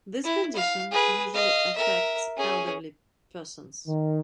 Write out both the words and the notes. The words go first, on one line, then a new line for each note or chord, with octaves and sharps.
This condition usually affects elderly persons.
E4
F5
G#4 B4
D#5 F5
A#4 E5
C#4 G#4
D#3